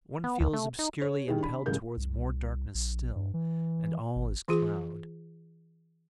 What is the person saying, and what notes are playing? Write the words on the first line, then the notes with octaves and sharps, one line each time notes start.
One feels obscurely impelled towards more darkness still, and all is cloud.
B3
D2
A3
D#4
C#5
D#3 G3 E4 G#4
D4 B5
D#1 A1 C#3 G#3 A#4 G6
C2
A#1
G2
E3
G#1
E3 F4 G#4